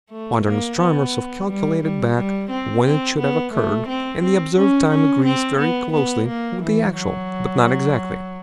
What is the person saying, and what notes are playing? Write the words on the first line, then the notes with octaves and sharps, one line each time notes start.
Modern astronomers have calculated back when it should have occurred, and the observed time agrees very closely with the actual, but not exactly.
A3
A#3
B3
G3
G3
G3
C4
C4
B3
A3
C4
C4
C#4
C#4
C4
B3
B3
A#3
E3
F#3